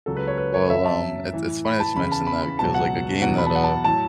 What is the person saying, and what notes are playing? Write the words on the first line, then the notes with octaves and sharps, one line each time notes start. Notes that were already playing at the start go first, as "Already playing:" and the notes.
Well, um, it's it's funny that you mentioned that because, like, a game that, uh,
C#2 C#3 F#3 A4
B4
C#5
B4
C#5
F#2 F#3 E5
A5
A2 E3
B5
A5
E2 C#3 E3 B5
A5
B5
B5
C#2 B2 F#3 A5
F#5
E2 B2 F#3 F#5
B5
A5
F#5
A5
A2 F#3 A5